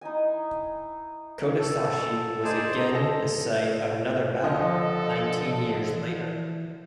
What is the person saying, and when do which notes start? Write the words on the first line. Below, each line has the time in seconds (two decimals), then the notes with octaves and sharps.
Kotesashi was again the site of another battle nineteen years later.
0.01 D#4 E4 D#5 G#5
1.59 A4
2.45 D#4 G#4 C5 D5 G#5 A5
2.94 D#4 A4 A5 A#6
4.44 D3 F3 A4 D#5
5.92 E3